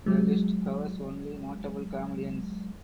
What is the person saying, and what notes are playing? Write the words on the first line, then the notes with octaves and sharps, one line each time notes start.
The list covers only notable comedians.
F#3 G#3